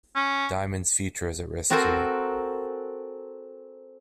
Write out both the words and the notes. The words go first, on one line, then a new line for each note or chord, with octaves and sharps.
Diamond's future is at risk here.
C#4
C4 F#4 A4 A#4 C5 G#5